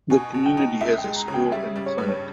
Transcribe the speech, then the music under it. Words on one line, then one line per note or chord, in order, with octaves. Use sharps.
The community has a school and a clinic.
B2 G#5
B2
G5
D#4
C#2 E5
G5
G#3
A#5
C#3
G5
G3 E5
G3
C#5
G2 B4
C#5